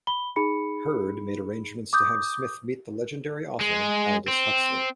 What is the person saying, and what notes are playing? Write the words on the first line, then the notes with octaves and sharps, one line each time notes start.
Heard made arrangements to have Smith meet the legendary author Aldous Huxley.
B5 G7
D#4 G#4 B5 C#7
D6 D#6 G6
G#3
C4